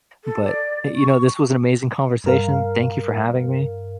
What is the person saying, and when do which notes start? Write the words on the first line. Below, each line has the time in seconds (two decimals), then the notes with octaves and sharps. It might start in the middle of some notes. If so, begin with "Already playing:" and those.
But, eh, you know, this was an amazing conversation. Thank you for having me.
0.24 A4
0.44 D5
0.95 C#6
2.24 G2 A#4 F5